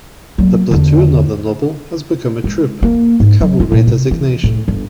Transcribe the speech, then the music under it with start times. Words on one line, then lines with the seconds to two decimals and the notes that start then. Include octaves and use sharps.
The platoon of the novel has become a troop, a Cavalry designation.
0.38 F#3 A#3
0.71 E2 D3
2.44 G#3
2.83 A#3
3.20 G#2
3.41 F#3
3.60 F4
3.72 A#2
3.87 C3
4.11 E3
4.44 A2
4.68 G1